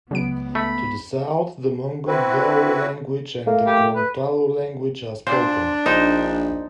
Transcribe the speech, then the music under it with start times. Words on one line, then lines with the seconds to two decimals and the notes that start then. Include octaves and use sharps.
To the south, the Mongondow language and the Gorontalo language are spoken.
0.11 C#2 C#3 F#3 B3 D7
0.55 A3 B5
2.08 C4 E4 F#4 B4
3.47 A3 A#3
3.67 G4
3.95 B4
5.27 A#2 D4 C5
5.86 A#1 D#4 C5